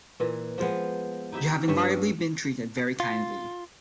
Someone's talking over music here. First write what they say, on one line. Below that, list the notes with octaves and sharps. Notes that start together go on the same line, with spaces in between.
You have invariably been treated very kindly.
A#2 E3
F3 G#3 B3
D#4 E4 G4 E5
G2 C#4 E5
F4